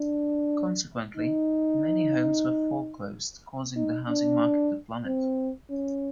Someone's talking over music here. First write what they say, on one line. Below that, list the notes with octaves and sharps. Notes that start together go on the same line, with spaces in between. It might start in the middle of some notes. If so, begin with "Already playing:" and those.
Consequently, many homes were foreclosed, causing the housing market to plummet.
Already playing: D4
D#4
D#4
D4
C4
C#4